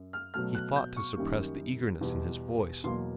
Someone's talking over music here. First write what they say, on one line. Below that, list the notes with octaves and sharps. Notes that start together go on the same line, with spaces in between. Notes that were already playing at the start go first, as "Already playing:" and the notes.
He fought to suppress the eagerness in his voice.
Already playing: F#2
F6
B2 F#3 A3 F6
F#6
G6
C#6
F#2 D#3 G3 A#3
E2 B2 G3
E2 B2 F#3 A#3 C6